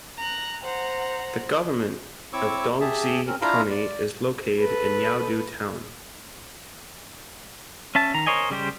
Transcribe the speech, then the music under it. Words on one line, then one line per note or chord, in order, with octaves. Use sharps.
The government of Dongzhi County is located in Yaodu Town.
A#5 F#6
C5 F#5 A#5
C4 E4 C#5 C#6 D6 E6
G4 G#4 E5 A5
C4 C#4 A#4
D4 E4 F4 F5 A#5
D5
A4 B4
C#4 E5 A5
D#3 A#5
A#4 C5 C#5 D#5 G#5
C#3 G3 G4 C5